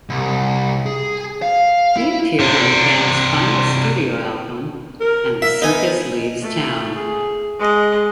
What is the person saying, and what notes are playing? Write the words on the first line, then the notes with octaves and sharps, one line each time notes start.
He appeared on the band's final studio album "...And the Circus Leaves Town".
C2
G#4
F5
E4
C3 D4
A#4
A#4 E5
B3 D#4 G#5
A3
G#4
G#3 D#5